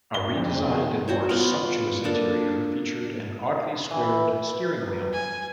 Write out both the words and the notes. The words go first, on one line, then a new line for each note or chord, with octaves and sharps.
A redesigned and more sumptuous interior featured an oddly squared steering wheel.
G7
F2
F2
D#3 G#4
F#4 C5 C#5
B3 F4
A#3 D4 A4
E3
E4 A4 B4
G#5